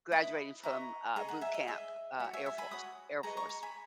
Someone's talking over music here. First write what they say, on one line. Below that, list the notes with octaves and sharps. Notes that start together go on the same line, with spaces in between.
graduating from, uh, boot camp, uh, Air Force Air Force
E4 B4 D#5 B5 D#6
E4 B4 D#5 A#5 C#6
G#4 D#5 A#5 C#6
F#5 A#5
E5 G#5
D#5
G#4 D#5 E5
F#4 C#5 E5
E5 G#5
E5 G#5
G#5 B5
F#4 C#5 B5 D#6
G#4 B4 D#5 A#5 C#6
A#5 C#6
A#5 C#6
G#5 B5